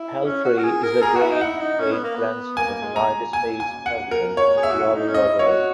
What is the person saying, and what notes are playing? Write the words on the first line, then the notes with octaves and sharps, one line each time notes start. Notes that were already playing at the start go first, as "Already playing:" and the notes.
Palfrey is a great-great-grandson of United States President Theodore Roosevelt.
Already playing: E4
C#4
F#4
A#4
G#4
A#4
G#4 A#5
F#4
E4
D#4
E4 F#5
D#4
C#4
B3
A#3
B3
A#3 G#5
G#3
A#5
G#5
G#5
F#5
A#4
C#5
G#4
E5
F#4
E4
D#4
C#4
D#5
E4
E4 C#5
F#4